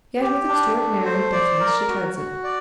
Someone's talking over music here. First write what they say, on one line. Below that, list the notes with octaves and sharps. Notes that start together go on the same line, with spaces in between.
Yet with extraordinary deftness she treads it.
G4
D4
A3
C5
D5
A#4
F#4
F#4
D5